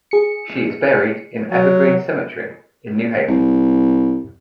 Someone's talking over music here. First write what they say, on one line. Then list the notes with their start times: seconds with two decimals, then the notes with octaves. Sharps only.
She is buried in Evergreen Cemetery in New Haven.
0.11 G#4 C#7
1.50 F#3
3.28 C2